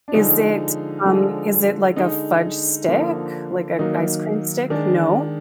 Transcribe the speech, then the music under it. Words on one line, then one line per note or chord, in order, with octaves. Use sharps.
Is it, um is it, like, a fudge stick? Like, a ice cream stick? No?
D4
D3 F3 G#3 D#4
D3 F3 G#3
D3 G#3 D#4
D3 F3 A#3
D#3 F#3 A#3 D#4
D#3 G#3 D4